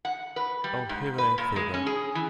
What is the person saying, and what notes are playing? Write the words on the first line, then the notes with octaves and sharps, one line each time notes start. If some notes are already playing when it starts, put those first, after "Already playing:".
Oh, hither and thither.
F#5
B4
G3
G#2
B4
A#2
G#3
C#4
G#4
E3